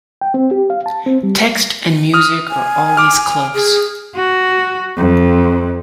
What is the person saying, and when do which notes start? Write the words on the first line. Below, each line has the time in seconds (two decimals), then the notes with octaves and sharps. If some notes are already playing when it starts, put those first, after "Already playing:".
Text and music are always close.
0.21 G5
0.34 C4
0.51 G4
0.70 F5
0.86 A5
1.06 C4
1.23 G3
2.14 D#6 F6
2.50 G#5
2.97 D6 F6
3.54 G#4
4.16 F#4
4.97 F2